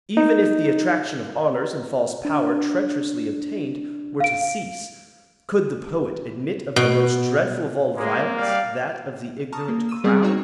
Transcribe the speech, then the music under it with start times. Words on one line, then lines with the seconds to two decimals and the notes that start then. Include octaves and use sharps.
Even if the attraction of honors and false power treacherously obtained were to cease, could the poet admit of the most dreadful of all violence, that of the ignorant crowd?
0.17 D#4
2.25 D4
4.20 F5 D7
6.76 B2
7.96 G#3 A#3
8.38 G3 D5 F5
9.52 A5 A#5 C#6 D#6 F6
9.68 A#3
9.89 E6 D#7
10.04 G3 B3 C4 G#4
10.22 C4 D#4 F#4 C#5 A#5